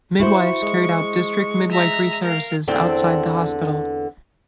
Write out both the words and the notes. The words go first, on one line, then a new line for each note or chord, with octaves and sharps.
Midwives carried out district midwifery services outside the hospital.
E4 F#4 C5 C#6
G#3
E5 A#5
A#4 F5
E2 D3 C4